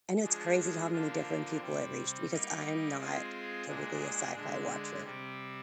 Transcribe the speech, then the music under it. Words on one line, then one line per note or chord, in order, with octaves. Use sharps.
I know it's crazy how many different people it reached because I am not typically a sci-fi watcher,
F3 G#3 D4 G#4
D3 F3 A#3 D4 F4
C3 G3 C4
G3 A#3 D#4
G#3 C4 F4 G#4
A#2 G#3 D4 G#4
D3 G#3 D4
C3 G3 C4